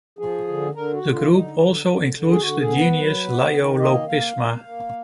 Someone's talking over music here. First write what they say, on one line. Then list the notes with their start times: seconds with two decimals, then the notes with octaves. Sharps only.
The group also includes the genus "Leiolopisma".
0.19 F3 G#4
0.47 D3
0.74 D3 A#4
0.93 F#4
1.03 D3
1.11 F4
1.30 D3 D#4
1.58 D3
1.86 D3
2.13 D3
2.29 G#4
2.41 D3 F#4
2.60 G#4
2.69 B3
2.79 B4
2.96 F#3
3.25 B3
3.53 D#3
3.80 A#3 D#5
4.08 A#3 F5
4.36 A#3
4.64 A#3